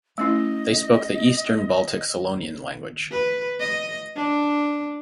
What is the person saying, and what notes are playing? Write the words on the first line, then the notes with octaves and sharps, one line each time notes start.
They spoke the Eastern Baltic Selonian language.
A3 C#4 E4 D#5
B4
D#5
D4